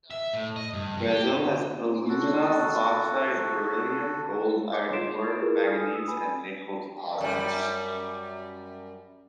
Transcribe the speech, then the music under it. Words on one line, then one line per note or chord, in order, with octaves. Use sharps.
Brazil has alumina, bauxite, beryllium, gold, iron ore, manganese, and nickel deposits.
E5
A2
D#5
G2
G2
G4
F#4 A4
B4 C#5 D6
F4 C6 C7 D7 E7
E4 F4 G4 G#4 A#4 B4
A4 G#5 D#6 F6
D#6 E6
B4 G#5 B5
F#2 G3